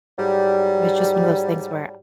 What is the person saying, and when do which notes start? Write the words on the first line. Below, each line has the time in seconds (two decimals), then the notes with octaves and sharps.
it was just one of those things where
0.19 G#2 F#3 G3